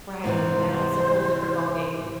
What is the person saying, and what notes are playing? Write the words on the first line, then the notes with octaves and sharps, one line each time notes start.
Right, that's a whole different ballgame.
G#2 C3 E3 C5